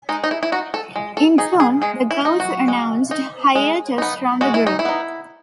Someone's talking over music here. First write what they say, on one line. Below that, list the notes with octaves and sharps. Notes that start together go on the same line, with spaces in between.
In June, The Grouch announced hiatus from the group.
G#3 D#4
D#4
E4
E4
D#4 F#4
A4
G#3
A4
D#4 G#4
G#4
G#3 G#4
E4
D#4
F#4
G#3
D#4
G#3
B3 D#4
G#3 F#4
E4
D#4
E4
B3 D#4